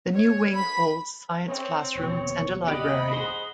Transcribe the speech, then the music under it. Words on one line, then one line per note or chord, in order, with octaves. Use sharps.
The new wing holds science classrooms and a library.
C#5
B5 B6
C4 C#5
F1 D#2 B2 C#5
G4 D5 D#5 F#5 B5
G#4 C5